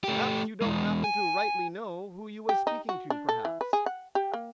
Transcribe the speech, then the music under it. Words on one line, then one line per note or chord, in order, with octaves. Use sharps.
Perhaps you don't happen to rightly know who you was speaking to, perhaps?
A3 G4
E2 G#3
G#5
G4
D#4
F#4
D4
A4
E3
B4
G#4
F#5
G4
A#3